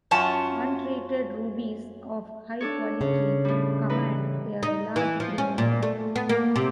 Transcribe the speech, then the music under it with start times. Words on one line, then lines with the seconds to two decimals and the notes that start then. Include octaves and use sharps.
Untreated rubies of high quality command a large premium.
0.11 F#2 C#4 F4 A5
2.61 D4 A4 C#5
3.01 C#3
3.45 A2 G3
3.90 E3 D#4 B4
4.63 D#4
4.96 E3
5.20 F3
5.38 C#4
5.58 A#2
5.83 A3
6.16 B3
6.29 A#3
6.56 C3